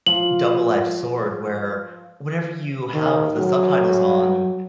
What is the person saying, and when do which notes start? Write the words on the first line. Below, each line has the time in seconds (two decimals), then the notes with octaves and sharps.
double-edge sword where whenever you have the subtitles on,
0.07 F3 F#7
2.94 D#3
3.36 F#3